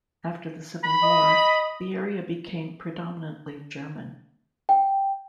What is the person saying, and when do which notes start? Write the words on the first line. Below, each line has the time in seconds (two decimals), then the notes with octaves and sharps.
After the Civil War, the area became predominantly German.
0.84 B5
1.03 D#5
4.69 G5